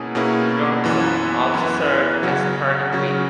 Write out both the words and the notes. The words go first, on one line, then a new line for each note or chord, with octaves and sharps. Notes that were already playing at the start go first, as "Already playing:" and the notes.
Guttormson also served as party whip.
Already playing: B2 A#3 C#4 E4 G#4
B2 A#3 C#4 E4 G#4
F#2 E3 B3
F#2 E3 B3
C#3 F#3 C#4 F#4
C#3 F#3 C#4 F#4